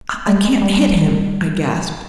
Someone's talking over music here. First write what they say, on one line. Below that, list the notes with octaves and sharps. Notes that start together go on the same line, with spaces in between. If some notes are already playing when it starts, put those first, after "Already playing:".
"I can't hit him," I gasped.
G3
G#3
G3